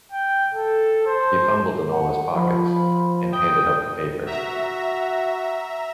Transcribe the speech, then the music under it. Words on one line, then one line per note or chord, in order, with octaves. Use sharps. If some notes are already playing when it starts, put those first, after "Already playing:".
He fumbled in all his pockets, and handed up the papers.
G5
A4
C5
F#5
F3 B5
G5 D#6
F#4 E5 A#5